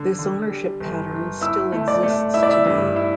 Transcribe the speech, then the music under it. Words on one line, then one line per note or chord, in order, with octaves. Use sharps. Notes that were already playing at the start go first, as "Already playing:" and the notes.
This ownership pattern still exists today.
Already playing: D3
D3
G3
G1
G1
E4 E6
A3
D5
A3
E4 E5
D5
E5
G2
E4